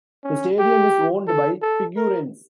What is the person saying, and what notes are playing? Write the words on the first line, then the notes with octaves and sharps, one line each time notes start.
The stadium is owned by Figueirense.
C#4
G4
A4
A4
A#4